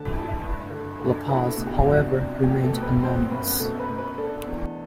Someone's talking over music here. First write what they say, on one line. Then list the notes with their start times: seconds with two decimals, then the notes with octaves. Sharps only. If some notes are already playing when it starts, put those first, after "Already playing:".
LaPaz, however, remained anonymous.
Already playing: D3 A5
0.13 E4
0.42 G2
0.70 D3
0.99 D3
1.28 E4 B4
1.48 A4
1.57 B2
1.67 G4
1.86 D4 F#4
2.15 C3
2.44 B2 G4
2.63 A4
2.73 B2
2.82 B4
3.02 C4 C5
3.31 F#2 B4
3.60 B2 A4
3.79 B4
3.89 B2
3.98 B4
4.17 D4 A4
4.47 E2